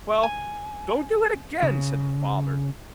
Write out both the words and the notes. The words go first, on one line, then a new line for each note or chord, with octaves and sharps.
"Well, don't do it again," said the father.
G#5
C#3